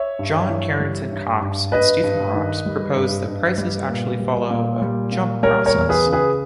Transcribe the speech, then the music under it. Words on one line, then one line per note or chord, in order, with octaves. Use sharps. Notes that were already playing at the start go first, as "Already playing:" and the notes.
John Carrington Cox and Stephen Ross proposed that prices actually follow a 'jump process'.
Already playing: C#5 E5
G2
E3
G3
G2
G2
G2 B4 D#5
G2
D#3
G3
G2
G2
G3
A#2
G3
A#2
G3
A#2
G3 A#4 C#5
A#4 C#5
E2
G#4 B4
C#3
G#4 B4